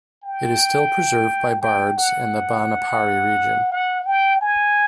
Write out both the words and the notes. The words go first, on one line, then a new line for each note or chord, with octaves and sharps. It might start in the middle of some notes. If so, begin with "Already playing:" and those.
It is still preserved by bards in the Banaphari region.
G5
G5
F#5
F#5
G5
G#5